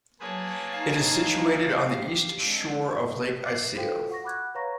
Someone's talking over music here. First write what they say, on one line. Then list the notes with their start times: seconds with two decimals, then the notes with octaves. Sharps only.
It is situated on the east shore of Lake Iseo.
0.20 F#3 A#3 G#4 B4 C#5 A5
0.72 D#4 F5
1.92 G4
2.38 G#3 C4 D4
3.45 D6 A6 C7 F#7
3.76 F4 F#4 A4 C5 F5 G5
4.10 F#5 C#6 A#6
4.24 F#5 B5 D6 F#6 G#6
4.55 B4 C#5 F5 A#5 C#6 A#6